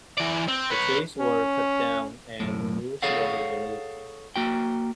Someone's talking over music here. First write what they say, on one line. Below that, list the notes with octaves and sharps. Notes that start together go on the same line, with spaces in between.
The trees were cut down and roots were removed.
E3 D5
C4
B4 C#5
C#4
B1 F#2 A2
G#4 A4 C#5 F5 F#5
A#3 F#4 G5